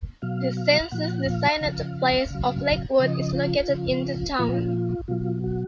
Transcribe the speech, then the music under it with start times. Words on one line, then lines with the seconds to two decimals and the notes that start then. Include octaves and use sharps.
The census-designated place of Lakewood is located in the town.
0.22 B2 F#3 F5
0.57 F5
0.92 A#2 F3 F#5
1.26 F5
1.61 C#3 F3
2.30 C#3 F#3
3.00 C#3 F3 D#5
3.35 F4
3.69 C#3 F3
4.39 A#2 F3 F4
5.08 B2 F#3 F4
5.44 F#4